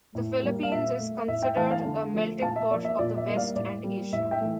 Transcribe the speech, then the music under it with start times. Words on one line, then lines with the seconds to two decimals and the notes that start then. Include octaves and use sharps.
The Philippines is considered a melting pot of the West and Asia.
0.15 A2
0.43 G3 A#3
0.63 F5
0.72 A#2 E5
0.99 A3
1.28 A2 E5
1.42 E5 G5
1.56 E3 A3 F5 A5
1.71 F5 A5
1.85 D3
2.14 F3 A3
2.41 A#2 F5 A5
2.56 E5
2.71 A#3 D5
2.74 F3
2.84 E5
2.99 A#2 D5
3.17 E5
3.27 G3 A#3
3.37 D5 F5
3.56 A2 D5
3.84 G3 A#3
4.12 A2 E5
4.31 E5 G5
4.41 E3 A3